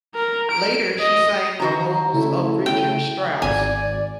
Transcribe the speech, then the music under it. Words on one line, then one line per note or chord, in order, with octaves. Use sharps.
Later she sang the roles of Richard Strauss.
A#4
D7
D#5
D#3 F#4 A#5
C#3 A3 E4
G5
G#1 D5 G#5